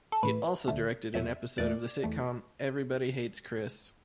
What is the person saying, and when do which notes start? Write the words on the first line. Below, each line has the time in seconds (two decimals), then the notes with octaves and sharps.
He also directed an episode of the sitcom "Everybody Hates Chris".
0.12 A4
0.23 A2 E3 A3 B4
0.68 D2 D3 A3
1.14 E2 B2 F#3 A3 E5
1.58 E2 E3 A3 D5
2.04 E2 E3 A3